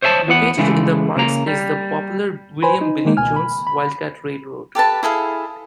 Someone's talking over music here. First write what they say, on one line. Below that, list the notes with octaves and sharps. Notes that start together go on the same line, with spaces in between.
Located in the parks is the popular William "Billy" Jones Wildcat Railroad.
C5 C#5 E5 F5 A5
E2 B3 F#5
C#3 E3 G#3 A3
C#3 A#3 A#5
G3
B4 C5 G#5 B5 C6
D#4
D#3 G#3 A#3 D#4
C#2 B2 G#5 F6
B5
B5
G4 A4 B4 A5
E4 G#4 A4 F5